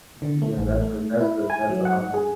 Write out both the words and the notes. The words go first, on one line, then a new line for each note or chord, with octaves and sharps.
You know, that's a that's a that's a hot one.
D3
A3
A1
A3
E4
G#5
F#3
F#5
G#4